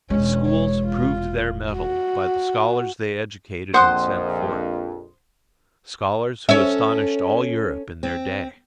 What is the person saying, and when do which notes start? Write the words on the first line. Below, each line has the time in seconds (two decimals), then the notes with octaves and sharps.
The schools proved their mettle by the scholars they educated and sent forth: scholars who astonished all Europe in their day.
0.10 E1 G#3 C#4
0.46 C#5
0.85 F4
1.73 F#4
3.74 A#1 F2 C5 F#5 C6 C#6 D#6 F#6
6.49 C#4 A4 C#5 E5
8.03 C4